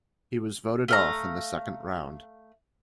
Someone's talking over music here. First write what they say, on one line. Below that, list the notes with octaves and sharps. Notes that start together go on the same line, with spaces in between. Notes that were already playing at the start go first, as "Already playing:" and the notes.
He was voted off in the second round.
A3 F5 A#5